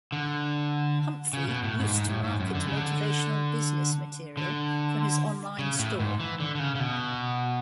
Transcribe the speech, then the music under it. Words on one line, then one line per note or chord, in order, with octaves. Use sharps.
Humphrey used to market motivational business material from his online store.
D3
C#3
B2
A2
G#2
G#2
A2
G#2
F#2
D3
C#3
D3
D3
C#3
A2
G#2
E3
D3
D3
C#3
C#3
B2